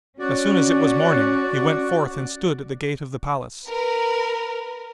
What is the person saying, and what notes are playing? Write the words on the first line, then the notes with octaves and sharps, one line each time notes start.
As soon as it was morning, he went forth and stood at the gate of the palace.
C#4 F#4 D5
A#4 B4